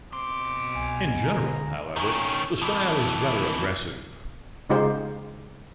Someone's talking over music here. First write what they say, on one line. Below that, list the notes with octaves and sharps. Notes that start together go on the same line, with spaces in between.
In general, however, the style is rather aggressive.
B2 C4 C6 D6
C2 G#5
D3 G#3 A#5
D#3 C#4
F2 E3
C#3 G#3 D#4 F4 G4 C5